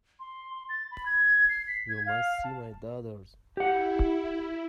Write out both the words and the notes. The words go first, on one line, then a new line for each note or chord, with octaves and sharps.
You must see my daughters.
C6
C6
A6
B5
G#6
C7
B6
G#6
F5
A5
E4 G4 F#5